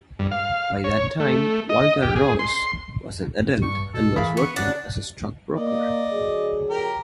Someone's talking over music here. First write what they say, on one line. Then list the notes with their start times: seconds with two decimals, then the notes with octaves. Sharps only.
By that time, Walter Ross was an adult and was working as a stockbroker.
0.19 G2
0.31 F5
0.84 C#5
1.20 A3
1.69 D#5
2.02 G4
2.16 G#4
2.39 C6
3.62 G2 C#6
3.94 B2 A4
4.16 E3 G#4 A#4 F5 B5
4.37 B3 C#6
4.56 C#3 D4 F#5
5.56 A#3 D5 D#5
6.11 D2 F#3 G#4
6.70 G4 A#4